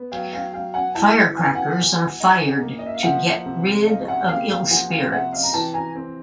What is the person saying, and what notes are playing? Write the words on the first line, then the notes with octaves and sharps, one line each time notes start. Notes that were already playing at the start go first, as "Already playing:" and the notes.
Firecrackers are fired to get rid of ill spirits.
Already playing: B3
F#3 F5 G5
F5 G5
F#3 F5 G5
F#5 G#5
E4 G5 A5
B3 G#5
G5
F#5 G#5
F#3
D#4
A#3
D#5
E5
F5
F3 E5 F#5
C3
D#4 D#5 F5
E5 F#5
A#3 F5 G5
F5 G5
F3 F#5 G#5
F5 G5
C3 E5 F#5
D#5 F5
A#5
E3 G5 A5
G#5 A#5
C4